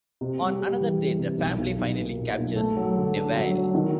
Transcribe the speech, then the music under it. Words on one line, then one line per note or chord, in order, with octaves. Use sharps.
On another day, the Family finally captures Neville.
C3
G3
G3
E3
G3
C3
B1
B1
B1
A#2
A#2
B1
A3
F#3
D3
D4
F#3
F#3
D#3